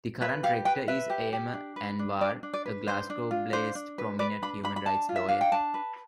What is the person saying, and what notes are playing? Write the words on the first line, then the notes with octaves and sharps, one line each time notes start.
The current Rector is Aamer Anwar, a Glasgow-based, prominent human rights lawyer.
B4 E5
G4 F5
B4 G5
B4 E5
G4
G4
D4
B4
D4
D4 D5
D4
D5
B4
D4 C5
D4
F4
D4 C5
D4
B4
B4 D5
D4 B5
D4 B5
B5
D4 A5
F4
E5
D4 F5
G5
D4 A5
B4